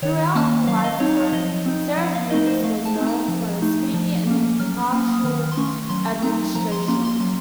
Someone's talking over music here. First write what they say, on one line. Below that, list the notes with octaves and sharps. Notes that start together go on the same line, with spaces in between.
Throughout her lifetime, Sarah Hughes was known for her speedy and impartial administration.
D#3 C#5
A#3 C#4 A5
F#3 F5
F5
D#5
C4 D#4 C#5
C#5
F3 D#5
C4 D#4
F3 F#5
F5
A3 C4 D#4 D#5
C5
A3 F5
A5
D#4
C4
A#5
F3
A3 D#4
F3
A#3 C#4
F#3 F6
A#3 C#4 F6
D#6
D#3 F6
C6
A3 C#4 C#6
F#3 C6
C4 D#4 A#5
F3 A#5
C6
A#3 C#4 C6
C6
F#3 C6